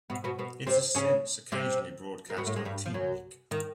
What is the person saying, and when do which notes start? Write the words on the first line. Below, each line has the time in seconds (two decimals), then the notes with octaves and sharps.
It has since occasionally broadcast on TeenNick.
0.10 B2 B3
0.24 B2 B3
0.39 B2 B3
0.67 C3 C4
0.95 C#3 C#4
1.52 C3 C4
2.30 A#3
2.37 B2 B3
2.47 A2 A3
2.56 G#2 G#3
2.65 G2 G3
2.86 F3
2.94 F#2 F#3
3.51 D#3